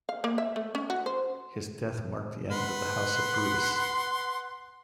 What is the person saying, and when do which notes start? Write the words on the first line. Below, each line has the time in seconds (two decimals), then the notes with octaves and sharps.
His death marked the end of the house of Brutus.
0.09 F5
0.24 A#3
0.38 E5
0.56 A3
0.75 C#4
0.90 F#4
1.06 C5
2.51 B4 F#5 C6